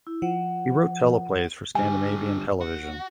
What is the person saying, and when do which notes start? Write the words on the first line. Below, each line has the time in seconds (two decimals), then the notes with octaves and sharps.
He wrote teleplays for Scandinavian television.
0.07 E4
0.22 F3 F#5
1.75 D3 G3 G#5
2.61 F#4